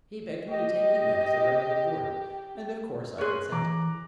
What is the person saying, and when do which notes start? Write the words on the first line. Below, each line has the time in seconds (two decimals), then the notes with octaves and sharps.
He begged me to take you in as a regular boarder and of course I consented.
0.48 G4 D#5
3.18 G#4 A#4 B4 C#5 C6 C#6 F#6
3.52 E3 A#5 D6